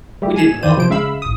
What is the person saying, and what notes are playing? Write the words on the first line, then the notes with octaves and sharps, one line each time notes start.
We didn't walk.
G3 A3 G4
G#5 E7
E2 D#3 C5 D5 D#7
C3 F3 C5 D7
C#3 G#3 E5 F5 B5 E6
A1 D#6